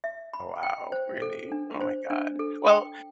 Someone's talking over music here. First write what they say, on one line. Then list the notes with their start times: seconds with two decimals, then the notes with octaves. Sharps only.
wow, really? Oh my god. Well,
0.04 E5
0.33 B5
0.63 G5
0.92 C5
1.22 A4
1.52 D4
1.81 C5
2.10 D4
2.39 A4
2.69 G5